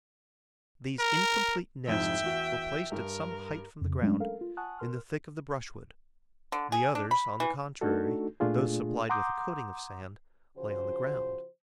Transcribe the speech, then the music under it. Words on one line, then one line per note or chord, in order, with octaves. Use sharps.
These incomplete nests were placed at some height from the ground, in the thick of the brushwood; the others, on the contrary, those supplied with a coating of sand, lay on the ground.
A#4
C2 F2 G#2 E5 G5
E2 F#4
G2 A#4
F2 C#3
F#3 G#3 A3 C#4 D4
A4 A#4 F5
F4
F#5 G#5 A5 C#6 D#6 F#6
A#4 C6 F6
D3
G#4
D4
B5
E3
A3 D4 D#4 F#4 A4
A#2 A3 D4 F4 G#4
F#5 A#5 C6 D6 D#6 G6
C#3 F3 F#4 C5